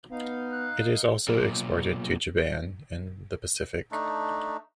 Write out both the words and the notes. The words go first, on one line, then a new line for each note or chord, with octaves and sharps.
It is also exported to Japan and the Pacific.
B3 D#4 F5
F#6
B1 A#2
A3 D4 D#4